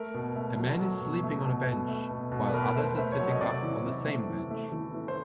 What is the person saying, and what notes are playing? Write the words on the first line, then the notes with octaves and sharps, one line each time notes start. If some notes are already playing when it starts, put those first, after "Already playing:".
A man is sleeping on a bench while others are sitting up on the same bench.
Already playing: A3 A#4
B2
A3
F#3
F#3
B2
A3
B2
B2
A3
B2
B2
B4
B2 A#4
A3 C5
B4
A3
C#5
F#3
D#5
C3 D5
E3
C3
A3
E3
A3
E3
E3
C5